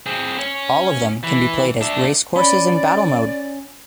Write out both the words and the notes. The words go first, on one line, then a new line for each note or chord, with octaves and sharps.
All of them can be played as race courses in Battle Mode.
C4 G#4
C#4
E3
D4 E5
C#4 D5 B5